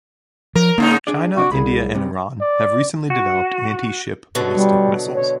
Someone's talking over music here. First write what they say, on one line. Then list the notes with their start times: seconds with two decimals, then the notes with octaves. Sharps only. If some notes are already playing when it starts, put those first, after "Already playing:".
China, India and Iran have recently developed anti-ship ballistic missiles.
0.55 F3 A#4
0.78 G#2 C#3 A#3 D#4
1.07 D4 G#4 D5
1.37 C3 D4 F#4 D5
1.52 C2 G#4 B5
1.95 G2 C3
2.41 D5
3.10 F#4
4.35 B2 D3 F#3
4.55 G3
5.15 C#5